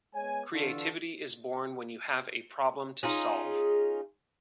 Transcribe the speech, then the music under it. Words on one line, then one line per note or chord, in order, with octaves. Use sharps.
Creativity is born when you have a problem to solve.
G#3 B3 C#5 G#5
D3 E3 D4 F4 F#4 A4
C#4 D#4 F4 G#4